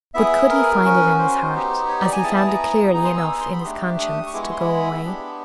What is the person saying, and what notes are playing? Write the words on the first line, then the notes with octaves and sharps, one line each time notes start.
But could he find it in his heart--as he found it clearly enough in his conscience--to go away?
B3 E4 G#4 E5
A#4
C#4 F#4
C5
B3 D#4 G4
C#5
D5
G#5
A#5
B3 E4 G#4 A5
A5
A#5
B3 D#4 G#4 A#5
C6
E6
D#6
C6
B5
A3 D4 G4
D#6
C#6
G#3 B3 E4 G#4 D6
C#6
C6
B5
B3 D4 G4